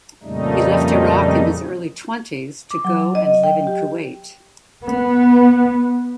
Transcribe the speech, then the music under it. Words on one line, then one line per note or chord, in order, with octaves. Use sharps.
He left Iraq in his early twenties to go and live in Kuwait.
F2 A#2 C#3 G3 A3 D#4
D6
F#3
D#5
G5
G4
B3